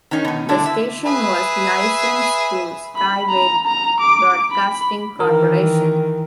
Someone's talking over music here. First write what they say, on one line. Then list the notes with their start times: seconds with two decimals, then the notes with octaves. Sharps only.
The station was licensed to Skyway Broadcasting Corporation.
0.11 D#3 C#4 D#4
0.25 B2 D#4
0.49 D3 D4 E4
0.66 E5
1.06 G#4 B4 E5
2.96 B5
3.30 A#5
3.67 A#5
4.00 D6
4.52 B5
5.20 D#3 E3 A#4